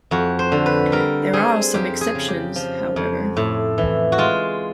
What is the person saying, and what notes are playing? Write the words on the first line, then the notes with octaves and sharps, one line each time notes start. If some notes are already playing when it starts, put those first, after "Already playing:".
There are some exceptions, however.
F2 F#4
C5
D3
B4
G3 A#4
C4 G#4
F2 G4
G#4
C#3
G4
F3
F2
A2
E3
F#4
G#3 F4